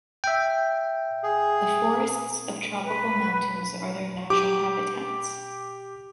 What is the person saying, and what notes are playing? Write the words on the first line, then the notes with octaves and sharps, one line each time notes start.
The forests of tropical mountains are their natural habitats.
E5 G5
G#4
B4
G4 D6